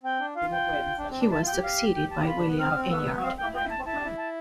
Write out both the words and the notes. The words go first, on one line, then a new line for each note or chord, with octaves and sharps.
He was succeeded by William Enyart.
C4 G5
D4
F4 F5
G5
D4
C4
D4
E4 A5
F4
G5
G4
F5
G5
A5
G4
F4 B5
D4
B3
C4 F6
C4
B3 E6
C4 F5
G5
E4
F4 G5
E4
A5
E4 A5
D4
E4
A5